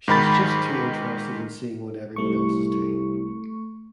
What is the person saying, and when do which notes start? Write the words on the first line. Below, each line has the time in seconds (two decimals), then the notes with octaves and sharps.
She's just too interested in seeing what everyone else is doing.
0.08 G#2 D#3 B5 A6
2.16 C2 A3 C#6